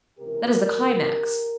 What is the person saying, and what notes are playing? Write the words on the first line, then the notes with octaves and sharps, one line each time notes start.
That is the climax.
C#2 C3 E3 G4 A#4
C#2 C#3 E3